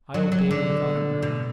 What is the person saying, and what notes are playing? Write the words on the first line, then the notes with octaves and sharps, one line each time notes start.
I obeyed without a murmur.
F#3
F#3
D3
B2